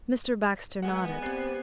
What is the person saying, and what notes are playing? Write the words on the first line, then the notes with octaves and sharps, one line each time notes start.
Mr. Baxter nodded.
G#3 B3 F#5 G#5
C4 G4 D5 F#6 C7